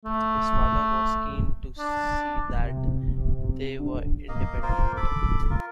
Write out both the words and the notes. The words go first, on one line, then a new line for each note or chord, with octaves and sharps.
His father was keen to see that they were independent.
A3
D4
C3
D3
A#3 D#5 F5
A#3 F4 A#4 C5
A4 B5 D6
F4 A#4